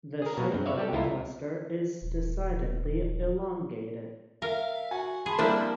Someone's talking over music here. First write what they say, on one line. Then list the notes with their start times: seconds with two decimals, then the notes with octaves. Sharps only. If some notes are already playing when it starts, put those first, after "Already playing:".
The shape of the cluster is decidedly elongated.
0.22 G#4 A#4
0.37 B2 F#3 A#3
0.52 G2 C4
0.65 B4 C#5 D5 E5 F5
0.77 G3 G4 A4
0.92 C#2 E4 F4 A4 A#5
2.02 D#1
4.42 A#4 E5 F5
4.91 F#4 G#5
5.26 G#4 A5 B5 C6
5.38 F3 G3 A#3 C4 D4 E4